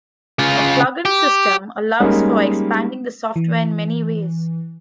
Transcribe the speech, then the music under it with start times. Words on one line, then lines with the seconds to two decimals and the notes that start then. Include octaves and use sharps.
A plugin system allows for expanding the software in many ways.
0.39 C#3 F4
1.05 G4
2.00 G3 G#3 A#3 C#4 D#4
3.36 E3